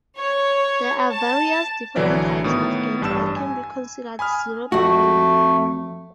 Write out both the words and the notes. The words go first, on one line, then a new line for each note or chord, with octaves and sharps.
There are various different types of games that can be considered "zero-player".
C#5
A5
A#1 D3 E3 F#3 D5 E5
A2 D#3 B3
A1 G2 A5 E6 E7
G#5
G#5 B5 D#6 F6
F2 A3 F#4